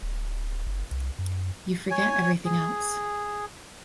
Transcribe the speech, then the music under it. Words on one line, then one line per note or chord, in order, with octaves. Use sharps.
You forget everything else.
D1
F#1
C2
F#2
C#5 G#5
G#4